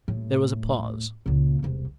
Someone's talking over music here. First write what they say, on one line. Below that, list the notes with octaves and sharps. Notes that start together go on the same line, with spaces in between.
There was a pause.
D#1 A2
C#2 A#2
E1 C2